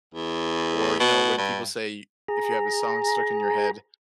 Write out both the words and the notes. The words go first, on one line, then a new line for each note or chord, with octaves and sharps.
Or, you know, when people say, "If you have a song stuck in your head,
E2
B2
G2
G#4 A#5